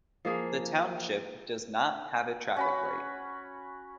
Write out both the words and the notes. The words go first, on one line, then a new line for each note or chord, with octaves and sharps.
The township does not have a traffic light.
F3 A#3 G#4
C#4 F#4 B5